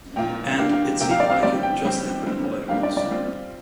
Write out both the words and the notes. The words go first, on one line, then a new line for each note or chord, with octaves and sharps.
And, it seemed like it just happened all at once.
A#2 A#3 F4 G5
D3 A#3 D4 G4 F5
F5
C3 A#3 G4 G5
F5
D5
F5
G3 C4 G4 D5
G5
G3 C4 G4
D3 G3 C4
G3 A#3 D4 G4 F5
D5
D5
G3 C4 F4